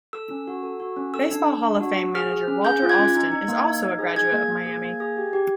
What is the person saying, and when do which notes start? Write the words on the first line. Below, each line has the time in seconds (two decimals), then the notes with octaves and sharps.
Baseball Hall of Fame manager Walter Alston is also a graduate of Miami.
0.13 A4 E6
0.30 C#4
0.47 F#4
0.63 A4
0.80 F#4
0.96 C#4
1.14 A4 E6
1.31 D4
1.47 D4
1.65 D4
1.80 F#4
1.98 F#4
2.15 G#4 F6
2.32 G#4
2.48 C#4
2.65 G#4 G6
2.82 F4
2.89 G#6
2.98 C#4
3.15 D#4
3.32 D#4
3.48 A#3
3.65 D#4
3.82 D#4
3.99 G#4
4.16 G#4 G#6
4.32 A#3
4.49 A#3
4.66 G#4
4.83 A#3
5.00 G#4
5.17 G4
5.33 G4